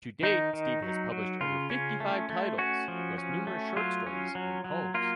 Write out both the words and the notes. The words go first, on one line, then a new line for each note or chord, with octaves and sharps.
To date Steve has published over fifty-five titles plus numerous short stories and poems.
D#3 D#4
D#3
F#3
F#3
C#3 F4
C#4
A3
A3
C#4 F#4
F3
C#4
A3
F#3 F4
C#4
F#3
F#3
A#3 F4